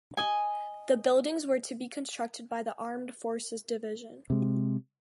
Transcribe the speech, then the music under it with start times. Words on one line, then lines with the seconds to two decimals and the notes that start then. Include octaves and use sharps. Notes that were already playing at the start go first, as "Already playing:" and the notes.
The buildings were to be constructed by the Armed Forces Division.
0.17 D#5 G#5
4.30 C3 G#3